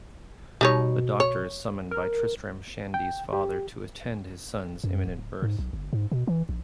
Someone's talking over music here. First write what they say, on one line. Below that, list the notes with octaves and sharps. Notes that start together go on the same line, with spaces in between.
The doctor is summoned by Tristram Shandy's father to attend his son's imminent birth.
B2 G3 D#4 C#5
C#5
A#4
G5
G4
F#2
D1
G#2
B1
G1
G#2
B2
E3
A#1